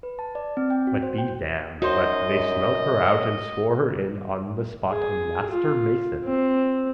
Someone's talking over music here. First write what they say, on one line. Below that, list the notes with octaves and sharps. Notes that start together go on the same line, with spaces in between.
But be damned but they smelt her out and swore her in on the spot a master mason.
B4
A5
D5
C4
G5
F#4
C5
G5
F#2 D#4 F#4 C5 D#5
G#4
F4
C4